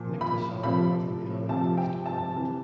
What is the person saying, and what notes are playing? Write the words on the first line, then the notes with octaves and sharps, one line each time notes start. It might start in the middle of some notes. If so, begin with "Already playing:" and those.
Nick Lassard of the Miami Police Department.
Already playing: A#2 F3
B5
C3 F3 B5
C3 F3 A5
G5
A5
C3 E3